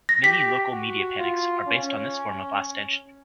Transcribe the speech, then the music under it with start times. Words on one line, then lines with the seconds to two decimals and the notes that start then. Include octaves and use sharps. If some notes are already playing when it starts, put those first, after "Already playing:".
Many local media panics are based in this form of ostension.
0.09 A#6
0.24 G4 B6
0.71 F#4
1.19 F4
1.67 C#4